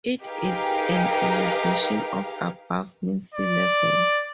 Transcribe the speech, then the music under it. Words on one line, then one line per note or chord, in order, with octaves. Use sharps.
It is at an elevation of above mean sea level.
D#4 G4 G#4 A#4 B4 F5
D5